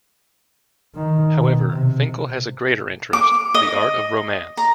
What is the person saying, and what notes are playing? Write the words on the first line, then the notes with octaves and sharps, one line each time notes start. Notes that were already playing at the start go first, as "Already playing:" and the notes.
However, Finkle has a greater interest - the art of romance.
D#3
B2
C3
D6
D#5
A#5